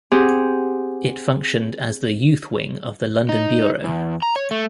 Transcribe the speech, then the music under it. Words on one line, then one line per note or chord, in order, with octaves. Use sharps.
It functioned as the youth wing of the London Bureau.
C4 G4 G#4 F#5
D#4
E2
A#5
C#5
A3